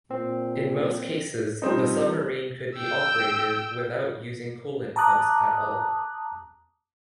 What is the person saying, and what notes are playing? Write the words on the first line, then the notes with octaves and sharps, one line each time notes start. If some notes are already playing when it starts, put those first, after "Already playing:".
In most cases the submarine could be operated without using coolant pumps at all.
A#2 C4
F3 G3 C4 D#4
G5 E6
A5 A#5 D6 D#6 F#6